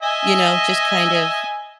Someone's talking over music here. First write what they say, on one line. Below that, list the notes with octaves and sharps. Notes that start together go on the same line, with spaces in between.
you know, just kind of
D#5 E5 G#5